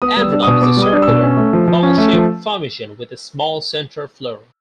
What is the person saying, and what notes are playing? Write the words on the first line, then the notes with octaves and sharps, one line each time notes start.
Andronov is a circular, bowl-shaped formation with a small central floor.
B3 D#6
G3 E6
D4
B2 D#6
B3 D6
G3
D#6
D4
E6
B2
C#4
A3
F3
F3
C#4
A3
F3